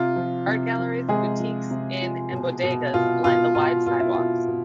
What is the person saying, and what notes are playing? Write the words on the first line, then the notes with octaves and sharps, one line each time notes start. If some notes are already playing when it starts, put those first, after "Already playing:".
Art galleries, boutiques, inns and Bodega's line the wide sidewalks.
Already playing: C3 F4
F3
C3
F3
C3 G#3 G#4
F3
C3
F3
B2
B2
B2 F4
B2 F4
B2 F4
B2 F4
E4
B2 F4
B2